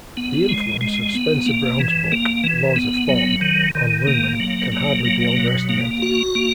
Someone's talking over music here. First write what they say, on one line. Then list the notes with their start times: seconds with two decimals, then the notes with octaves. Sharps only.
The influence of Spencer-Brown's book, "Laws of Form", on Luhmann can hardly be overestimated.
0.17 B3
0.49 G#3
0.81 G#3
1.15 B3
1.46 A#3
1.79 E3
2.12 A#3
2.44 E3
2.76 B3
3.09 F#3
3.41 D#3
3.75 D#3
4.07 A#3
4.40 F#3
4.72 A#3
5.05 F#3
5.37 B2
5.69 A#3
6.02 F#4
6.35 A#3